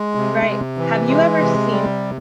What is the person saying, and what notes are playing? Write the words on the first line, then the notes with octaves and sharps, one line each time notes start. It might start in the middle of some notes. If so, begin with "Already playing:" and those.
Right, have you ever seen
Already playing: G#3
C3
C3
E3
G#3
C3
G3